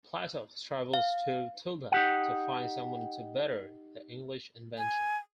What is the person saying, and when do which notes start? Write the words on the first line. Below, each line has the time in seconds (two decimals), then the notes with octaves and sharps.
Platov travels to Tula to find someone to better the English invention.
0.94 F5
1.92 D#4 G4 F#5
4.78 G#5